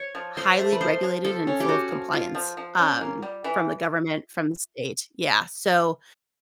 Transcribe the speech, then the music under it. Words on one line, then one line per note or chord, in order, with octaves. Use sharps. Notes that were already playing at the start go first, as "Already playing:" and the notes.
highly regulated and full of compliance, um, from the government, from the state. Yeah, so
Already playing: C#5
F3
F3 C5
A3
B4
F3 C5
F3
F3 A4
C#4
G4
C#4 F#4
F3
F3 F4
F3
F3
C#4
A#3
G3
E3